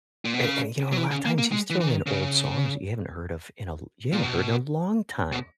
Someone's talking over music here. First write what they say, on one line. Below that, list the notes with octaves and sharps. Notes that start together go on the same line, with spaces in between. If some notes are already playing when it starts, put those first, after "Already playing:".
and and, you know and a lotta times he's thrown in old songs that you haven't heard of in a you haven't heard in a long time.
A#2
B2
C#3
F#3
E3
C#3
A#3
A#3
G#3
E3
E3
D#3
C#3
A#2
B2
B2